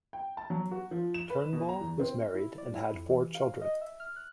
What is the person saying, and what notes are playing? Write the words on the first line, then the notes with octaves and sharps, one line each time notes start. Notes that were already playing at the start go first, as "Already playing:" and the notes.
Turnbull was married and had four children.
G5
A5
F#3
F#4
F3
E7
B4
B2
A#5
E2
C4
E4
D5
E4
F2
E3
F5
D#5
E5
F6
F#6